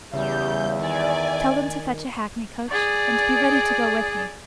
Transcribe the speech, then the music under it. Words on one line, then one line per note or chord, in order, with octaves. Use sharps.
'Tell them to fetch a hackney-coach, and be ready to go with me.
E2 C#3 G3 E5 G6
D#3 D5 G#5
G#4 D5